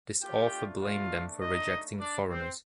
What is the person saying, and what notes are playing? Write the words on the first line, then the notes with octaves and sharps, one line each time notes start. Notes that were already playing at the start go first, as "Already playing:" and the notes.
This author blame them for rejecting foreigners.
A3 D4 F4 G4 G5
F4 F5
D#4 D#5
D4 D5
C4 C5